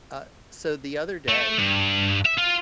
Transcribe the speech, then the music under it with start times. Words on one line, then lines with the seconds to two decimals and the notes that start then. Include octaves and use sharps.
Uh, so the other day,
1.29 A3
1.58 G2
2.25 E5
2.38 F4